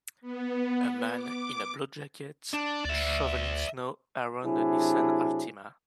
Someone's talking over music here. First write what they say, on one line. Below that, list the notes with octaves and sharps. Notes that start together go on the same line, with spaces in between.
A man in a blue jacket shoveling snow around a Nissan Altima.
B3
D6
D4
D2 D5 E5
C3 F#3 D4 E4 G#4